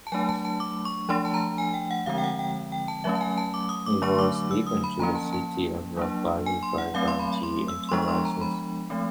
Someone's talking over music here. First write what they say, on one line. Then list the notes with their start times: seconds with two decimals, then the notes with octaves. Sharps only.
It was given to the City of Rock Valley by Van Zee Enterprises.
0.07 A5
0.12 F#3 A3 D4 G#5
0.29 A5
0.45 A5
0.60 D6
0.85 C#6
1.09 F3 A3 D4 C6
1.25 A5
1.34 A#5
1.58 G#5
1.74 G5
1.91 F#5
2.06 D3 F3 G#3 C4 F5
2.18 G5
2.24 F#5
2.39 G5
2.72 G5
2.88 A5
3.04 F#3 A3 C#4 E5
3.15 A5
3.21 G#5
3.38 A5
3.54 D6
3.69 D#6
3.86 D6
4.02 D3 F#3 A3 D4 C#6
4.19 D6
4.35 D6
4.51 E6
4.67 D#6
4.84 B5
4.99 F3 A#3 C#4 A#5
5.15 A5
5.33 A5
5.97 F#3 A#3 D4
6.46 G#5
6.63 C6
6.78 F#5
6.94 F#3 A3 C4 F5
7.08 C6
7.19 B5
7.43 C6
7.68 E6
7.89 C6
7.92 F3 G#3 B3 D4 C#6
8.02 C#6
8.08 C6
8.25 A#5
8.41 B5
8.90 F3 A3 C4